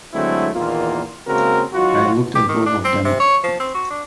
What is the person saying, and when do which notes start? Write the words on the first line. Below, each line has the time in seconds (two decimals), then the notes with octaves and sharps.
I looked at both of them.
0.14 D3 F#3 G#3 A3 C4 E4
0.55 E2 A#2 D#3 A#3 F4
1.28 C#3 G#3 A#3 C4 F#4 A#4
1.74 G#1 F#3 D#4 F4 F#4
2.35 G4
2.49 D#3
2.66 D4
2.85 C4
3.05 C3
3.20 C#5
3.44 F3
3.60 C4
3.75 F#4
3.90 D4